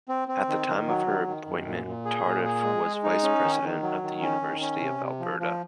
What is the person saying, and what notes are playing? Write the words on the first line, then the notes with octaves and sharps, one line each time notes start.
At the time of her appointment, Tardif was vice-president of the University of Alberta.
C4
C4
D#3
D#3
F#3
D#3
D#3
F#2
A#2
A#2
G#4
A#2
G#4
G#3
G#3
D#4
C#4
D#3
D#3
F#3
D#3
C#4
D#3
C#4
C3
C3
F3
F3